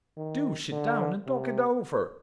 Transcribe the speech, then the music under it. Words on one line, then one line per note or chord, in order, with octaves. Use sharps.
Do sit down and talk it over.
D#3
D3
C3